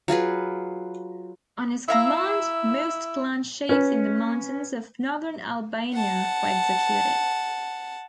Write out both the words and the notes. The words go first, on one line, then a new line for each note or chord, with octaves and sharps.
On his command most clan chiefs in the mountains of northern Albania were executed.
F#3 F4 G#4 B4
E4 E5 F5 A#5
C#4 B4
F#5 A5